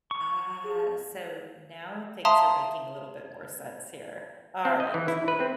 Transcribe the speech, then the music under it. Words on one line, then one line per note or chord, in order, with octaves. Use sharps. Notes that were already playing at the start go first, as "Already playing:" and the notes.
Ah, so now things are making a little bit more sense here. Alright,
C#6
G#4
E5 F5 A5 A#5 C6 D#6
C4
D#5
E3
E4
B4
C4